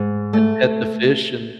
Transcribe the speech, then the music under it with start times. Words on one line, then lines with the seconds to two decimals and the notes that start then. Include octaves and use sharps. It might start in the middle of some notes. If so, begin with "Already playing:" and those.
and pet the fish and
Already playing: G#2
0.33 A3